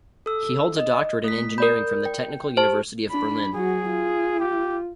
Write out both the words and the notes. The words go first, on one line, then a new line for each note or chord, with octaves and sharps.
He holds a doctorate in engineering from the Technical University of Berlin.
A4 E6
D#5
A3 B6
A#4 D5 B5 G6
G5
G4 C5 A5
D4 B5
F#3 F#4 G#4
F4
G4